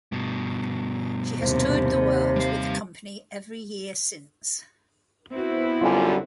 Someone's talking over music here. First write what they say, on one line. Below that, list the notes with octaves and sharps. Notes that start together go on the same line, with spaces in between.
She has toured the world with the company every year since.
G2 B2
D#2 C3 C5
G3 F5
B3 C4 E4 F#4
F#2 D3 G3 F4 G#5